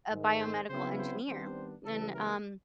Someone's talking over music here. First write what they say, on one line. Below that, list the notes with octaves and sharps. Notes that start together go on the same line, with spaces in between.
a biomedical engineer and, um
G#2 D#3 G#3
C4 C5
C#3 F#3 B3 C4 E4 C5
C4 C5
D#3 G3 B3 C4 D4 C5
C#3 E3 G3 A3 A4
A#3 A#4